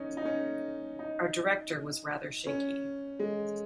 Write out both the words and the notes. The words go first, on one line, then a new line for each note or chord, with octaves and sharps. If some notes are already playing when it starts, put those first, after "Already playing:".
Our director was rather shaky.
Already playing: C#4 D#4
D#4
C#4
D#4
C#4
G#3